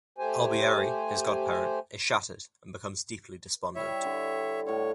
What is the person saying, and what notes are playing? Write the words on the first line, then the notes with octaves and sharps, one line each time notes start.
Albieri, his godparent, is shattered and becomes deeply despondent.
A3 G4 C5 G#5
G3 E4 C#5 E5
D3 G4
A2 F#4 C#5 F5